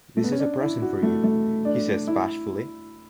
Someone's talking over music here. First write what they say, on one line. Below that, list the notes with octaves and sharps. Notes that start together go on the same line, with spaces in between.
"This is a present for you," he says bashfully.
A3
B3
C#4
D4
E4
F#4
A3
A3
D4
E4